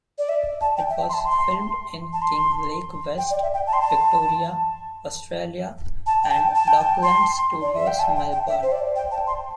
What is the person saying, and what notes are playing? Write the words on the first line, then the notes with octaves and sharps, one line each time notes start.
It was filmed in Kinglake West, Victoria, Australia and Docklands Studios Melbourne.
D5
E5
A5
G5
E5
C6
A5
C6
A5
C6
G5
D5
E5
G5
A5
C6
A5
A5
G5
A5
A5
G5
A5
C6
D5
E5
G5
A5
G5
G5
E5
C5
D5
G5
A5
C6